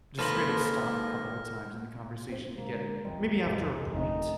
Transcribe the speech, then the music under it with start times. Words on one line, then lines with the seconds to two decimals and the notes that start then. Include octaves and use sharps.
Just straight up stop a couple of times in the conversation to get maybe after a point,
0.19 G#1 A#3 A4 B4 C6 F6 A#6 F#7
2.29 G2 A#2 C4 C5
2.58 D3 G#3 A#3
3.05 D#2 G#2 F3 G3 C4 D#4 E5
3.45 C2 F2 A2 C#3 E3 F3 G#4 D#5
3.93 G1 F2 G3 A3 D#4